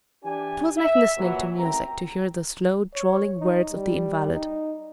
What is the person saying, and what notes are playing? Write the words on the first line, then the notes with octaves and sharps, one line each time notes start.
It was like listening to music to hear the slow, drawling words of the invalid.
E3 D4 G4 G#5
E5
A#2 E3 F#3
A1 C4 E4 A#4 A#5
C#5
D#4
G3
D#4